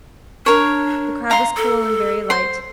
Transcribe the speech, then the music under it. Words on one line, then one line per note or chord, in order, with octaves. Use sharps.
The crab was cool and very light.
D4 A#4 C#5
F5 A#5 C6
A4
C5 C6